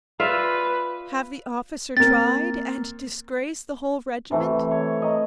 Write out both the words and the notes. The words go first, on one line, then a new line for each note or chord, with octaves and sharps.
Have the officer tried and disgrace the whole regiment?
F4 B4 D5 E5
A#3 C4 A6
C3 E3 A3
C#5
D#5 A#5